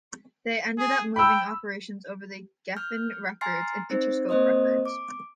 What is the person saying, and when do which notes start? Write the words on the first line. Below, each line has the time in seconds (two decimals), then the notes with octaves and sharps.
They ended up moving operations over to Geffen Records and Interscope Records.
0.78 G#4
1.16 G5 B5 E6
2.77 F6 G6
3.41 G#5 A#5 C6 F6 A6 C7
3.90 C4 D#4 C5
4.29 A#3 C4 C5 D#5 D#6
4.85 D6